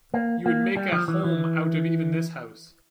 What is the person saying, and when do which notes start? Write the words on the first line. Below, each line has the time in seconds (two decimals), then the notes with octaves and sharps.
You would make a home out of even this house.
0.14 A#3
0.46 A#3
0.77 G3
0.92 F3
1.08 E3
1.24 E3